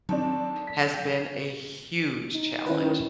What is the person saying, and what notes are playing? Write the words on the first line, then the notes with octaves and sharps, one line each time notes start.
has been a huge challenge.
D#3 F#3 C4 D4 A4
B6
E5 G5
D#4
D#3 C#4 E4 B4